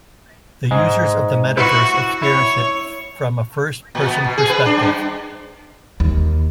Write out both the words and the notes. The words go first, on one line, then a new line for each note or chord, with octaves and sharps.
The users of the Metaverse experience it from a first person perspective.
G#2 G#3
E4 F#4 B4 C5
E4 C#5
A#2
B3
B2
G#4
B4
D4
G2
D#2